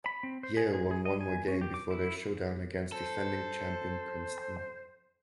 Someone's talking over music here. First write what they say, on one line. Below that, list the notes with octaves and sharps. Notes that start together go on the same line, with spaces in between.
Yale won one more game before their showdown against defending champion Princeton.
B5
C4
C5
G#4
G#4
G#4
D#5
G#5
C#4
G4
D6
E4
A4 C5